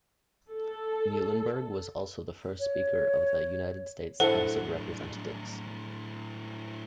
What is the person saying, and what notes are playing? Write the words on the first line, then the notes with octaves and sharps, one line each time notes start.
Muhlenberg was also the first Speaker of the United States House of Representatives.
A4
C#5
A2 D4 E4 A4 C5 F#5